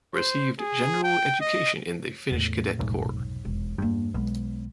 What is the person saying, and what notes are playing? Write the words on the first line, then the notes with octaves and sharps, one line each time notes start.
Received general education in the Finnish Cadet Corps.
C5
G#4
G5
D#5
E2 A2
F1 B1 G#2
E1
E2 G2 A#3
B1 G#3 B3